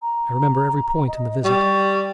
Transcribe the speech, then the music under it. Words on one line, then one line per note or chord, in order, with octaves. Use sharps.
I remember every point in the visit.
A#5
D#5
G3 C#6